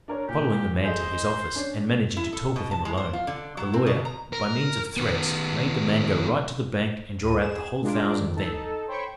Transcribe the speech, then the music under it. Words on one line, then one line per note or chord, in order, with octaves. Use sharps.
Following the man to his office and managing to talk with him alone, the lawyer, by means of threats, made the man go right to the bank and draw out the whole thousand then.
D4 A#4 C#5
A#2 G4
G#4 A4 C5 D#5
C#4 D4
E4
A4
B2
A5
G#3
C5
F4
D3
F#3
C4
B2
A#5
A#4
D#3 B3
D2 D#7
G#4 E7
G#3 D4 F4 A#4 D6
F2 D#3
D#4 A4 A5
C5 C#5 G5 B5 C#6